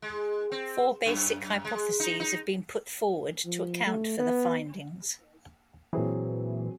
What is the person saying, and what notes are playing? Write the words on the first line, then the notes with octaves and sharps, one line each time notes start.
Four basic hypotheses have been put forward to account for the findings.
G#3
C4
F#2
G#3
D#4
D#4
F3
A3
B3
A#2 E3 F#3 C4 G#4